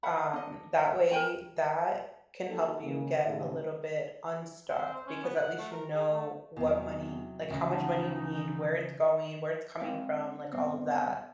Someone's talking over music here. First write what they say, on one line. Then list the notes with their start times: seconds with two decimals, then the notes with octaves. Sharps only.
um, that way, that can help you get a little bit unstuck because at least you know what money like, how much money you need, where it's going, where it's coming from, like, all of that,
0.03 E5 F#5 A5 B5
0.33 D4 D#5
1.11 A#4 D#5 G5 G#5
2.49 A#3 D#4 F#4 G4 A4
2.83 C#3 G#3 A#3
3.24 D#2 A2 C#3
4.69 C4
4.95 C5
5.07 C#4
5.23 B3
5.36 F#5
5.59 A3
5.71 A#4
5.93 G#4
6.12 A3
6.56 E2 C3 F#3
7.50 D2 C#3 E3 D#5
7.69 E3 D#4 F#5 A5
9.80 G#3 C4 C#5 D#5 F5
10.52 G2 B2 C4